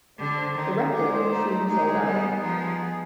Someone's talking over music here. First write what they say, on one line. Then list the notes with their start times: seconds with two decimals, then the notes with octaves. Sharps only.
The record soon sold out.
0.19 D3 G4
0.37 C5
0.55 D#3 D#4
0.74 D#4
0.92 G#3 G4
1.11 C5
1.30 A3 D#4
1.49 D#4
1.68 G#3 D#4
1.86 G#4
2.05 G3 B3
2.24 B3
2.42 F3 D#4
2.61 G#4
2.79 B3